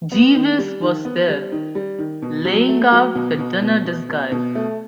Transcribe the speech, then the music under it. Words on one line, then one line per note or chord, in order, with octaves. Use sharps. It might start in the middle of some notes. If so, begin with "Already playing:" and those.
Jeeves was there, laying out the dinner disguise.
B3
D#3
G3
D#3
B3
G3
D#3
G3
D#3
B2
F#3
A3
F#3
B2
B2
B2
B2
B2
B2
A3